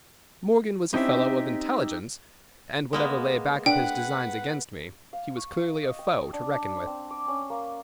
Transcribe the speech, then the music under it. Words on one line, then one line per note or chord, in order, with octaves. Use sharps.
Morgan was a fellow of intelligence and, whatever lay back of his designs against me, he was clearly a foe to reckon with.
C4 C#4 D#4 E4 G4 E5
G#3 A#3 B3
D4 B4 F#5 G5
F5
C#6
D#5
G5
D4
D4
C4
D6
C#4
A#3